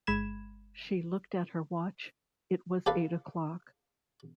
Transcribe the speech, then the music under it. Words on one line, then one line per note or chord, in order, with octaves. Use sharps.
She looked at her watch; it was eight o'clock.
G1 G#3 B5 G#6 E7
G4 A4 B4 F5